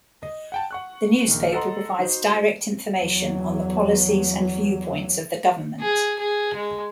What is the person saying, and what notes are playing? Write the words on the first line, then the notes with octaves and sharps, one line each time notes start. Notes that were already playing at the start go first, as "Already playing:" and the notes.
The newspaper provides direct information on the policies and viewpoints of the government.
D#5
F#5 G5 A5
F#5 C#6 F#6
A#1 D#3
A4 D#5 F#5 A#5 C6
D#4 F#4 C5
E2 F#3
G#4
G#4
G#3